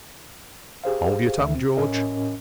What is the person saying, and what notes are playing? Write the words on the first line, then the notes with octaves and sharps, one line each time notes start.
Hold your tongue, George!
G4 G#4 C5 F5
D2 D3 E5
C4
A2 C#4 A#4 D#5